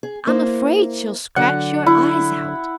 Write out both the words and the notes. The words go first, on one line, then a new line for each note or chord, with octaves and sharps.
"I'm afraid she'll scratch your eyes out."
G#4
A#3 E4 C5
D3 F#3 F#5
E4